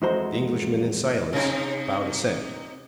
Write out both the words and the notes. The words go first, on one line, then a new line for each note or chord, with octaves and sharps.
The Englishmen, in silence, bowed assent.
F2 E3 G#3 F#4 C5 A#5
C3 D#4